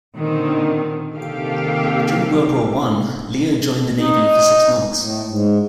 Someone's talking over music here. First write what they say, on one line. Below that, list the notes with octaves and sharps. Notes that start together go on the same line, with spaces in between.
During World War One, Leo joined the Navy for six months.
A#2 D3 D#3 C4
C3 D#3 A#3 G4 A4 F5
D#4
A2
G#2